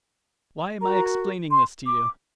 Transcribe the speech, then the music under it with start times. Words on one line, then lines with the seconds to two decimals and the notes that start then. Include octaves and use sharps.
Why am I explaining this to you?
0.80 F#4 A#4 A#5
1.51 C6
1.87 D6